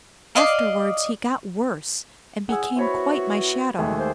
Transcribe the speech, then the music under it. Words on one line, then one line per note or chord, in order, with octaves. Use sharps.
Afterwards he got worse, and became quite my shadow.
D5 D#5 F5
E2 G#4 F#5 G#5 E6
B3 E4 F#4 C5 C#5 B5
D#2 B2 G#3 A3
A#3 G4 C5